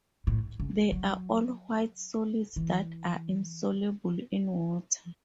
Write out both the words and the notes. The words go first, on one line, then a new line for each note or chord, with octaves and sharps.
They are all white solids that are insoluble in water.
A2
C#3
F#3
E3